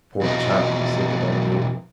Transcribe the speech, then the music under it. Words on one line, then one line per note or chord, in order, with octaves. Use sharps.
"Poor chap!" said the barmaid.
E2 B2 F3 F#4 D#5